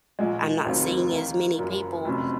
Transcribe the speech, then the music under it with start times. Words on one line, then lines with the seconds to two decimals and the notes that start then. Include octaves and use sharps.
I'm not seeing as many people
0.19 A#1 A#2 F3 G#3
0.65 F1 D#2 D#3 F#3 C4
1.12 D#2 D#3 A#3
1.58 F#1 F#2 F3 A#3
2.05 F1 F2 C3 F#3 C#4